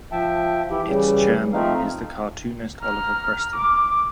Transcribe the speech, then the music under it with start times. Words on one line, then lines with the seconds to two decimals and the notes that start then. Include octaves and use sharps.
Its chairman is the cartoonist Oliver Preston.
0.12 F3 E5 G5 A5
0.71 E3 E4 G4
0.86 C#3 E3 G3
1.53 F3 A3 C4 D#4 F5
2.81 A#5 F6
3.55 D6